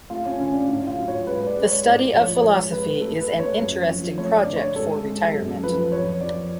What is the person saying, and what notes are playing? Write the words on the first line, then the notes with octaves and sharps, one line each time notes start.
The study of philosophy is an interesting project for retirement.
A3 F4
C#4
D3 C#4
D4
A2
F4
F#3
C#5
G#3 B4
D5
G#3
C#5
A2 D5
F3 C#5
G#3 C#5
G#3 B4
A3 A4
B4
A3
C#5
F#2
F3
A3 C#5
D5
D3
C#5
G#3 A4
G#3
F#2 A4
F3 B4
F2 C#5
F3 D5